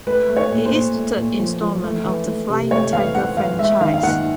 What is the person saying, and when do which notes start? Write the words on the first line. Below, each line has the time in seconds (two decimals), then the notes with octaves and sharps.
It is the third installment of the "Flying Tiger" franchise.
0.07 A3 B4
0.29 A3
0.37 C#5
0.51 A#2
0.66 C5
0.73 A#2
0.95 A3
1.17 A#2
1.39 F3
1.61 F3
1.83 A3
2.05 E3
2.27 A3
2.49 C3
2.71 A3 C#5
2.93 E3 F5
3.15 C4 F#5
3.37 E3 F5
3.59 G#3 E5
3.81 D#3 F5
3.94 F5
4.03 D#3 F#5